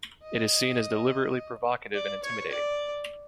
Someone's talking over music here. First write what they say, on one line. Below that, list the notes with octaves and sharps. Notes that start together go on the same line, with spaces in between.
It is seen as deliberately provocative and intimidating.
D#5
D5
C#5
D5